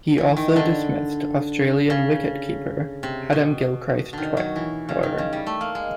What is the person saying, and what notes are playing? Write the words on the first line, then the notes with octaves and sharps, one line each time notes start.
He also dismissed Australian wicket-keeper Adam Gilchrist twice, however.
E3
D#3
D3
C#3
C3
B2
D3 D#3
F#3
E3
C#3
D#3
C#3
G3
A3
A#3
G#3